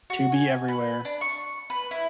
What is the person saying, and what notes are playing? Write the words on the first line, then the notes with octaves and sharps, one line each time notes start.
To be everywhere.
F#4
G#5
B4
D4
C#6
B4
E4